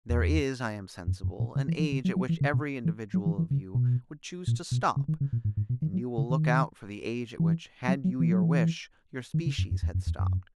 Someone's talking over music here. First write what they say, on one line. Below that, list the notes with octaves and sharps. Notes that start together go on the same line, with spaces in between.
There is, I am sensible, an age at which every individual of you would choose to stop; and you will look out for the age at which, had you your wish, your species had stopped.
E2
F#2
F#2
A#2
C#3
E3
E3
C#3
F#3
F#3
E3
C#3
B2
E3
F#3
E3
E3
C#3
B2
A#2
B2
C#3
D#3
C#3
A#2
G#2
G#2
B2
D#3
F#3
C#3
D#3
E3
F#3
F#3
E3
F#3
E3
D#3
C#3
F#2
F#2
E2
F#2
E2
F#2